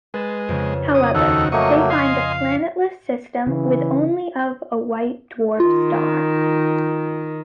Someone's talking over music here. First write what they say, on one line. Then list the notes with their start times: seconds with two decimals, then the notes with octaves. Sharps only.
However, they find a planetless system with only of a white-dwarf star.
0.14 G#3 B4 A6 E7
0.49 F2 C#3
0.94 C#4 D#6
1.15 D#2 D#3 F#4 A4
1.52 F#3 A3 A#3 D#5 C#6 C#7
1.90 D#5 F5 G#5 C6
3.47 C#3 E3
5.60 D#3 F4